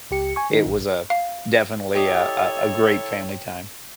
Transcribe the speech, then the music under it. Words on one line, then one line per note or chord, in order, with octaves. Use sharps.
it was a definitely a a a great family time.
C#2 G4 C#7
G#5 C#6
D#3 D#4
A1
F5
E4 G4 A4 C#5 D#5